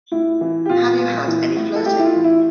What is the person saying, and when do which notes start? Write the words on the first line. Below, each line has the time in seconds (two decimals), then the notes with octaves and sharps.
Have you had any flirting?
0.12 A2 E4
0.41 E3
0.66 G4
0.69 A#2 F4
0.99 A#2
1.27 E3
1.57 A2
1.75 A4
1.85 A2 G4
1.99 E4
2.05 F4
2.15 E3
2.24 E4